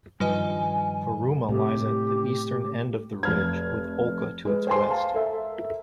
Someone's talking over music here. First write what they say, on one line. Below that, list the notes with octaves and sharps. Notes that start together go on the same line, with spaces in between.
Paruma lies at the eastern end of the ridge, with Olca to its west.
G2 D#3 F3 G3 B4 D#5 G#5
A2 C3 G4
F1 F6 G#6
G#3 B4
C5 G5 G#5 C6
F5 A5
A4 A#4 E5